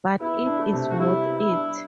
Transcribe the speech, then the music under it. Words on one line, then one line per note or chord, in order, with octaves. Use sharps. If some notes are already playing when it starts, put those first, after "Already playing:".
But it is worth it.
B3 E4
D4
A3
C3
F#4
G3 E4
B3
E4
D4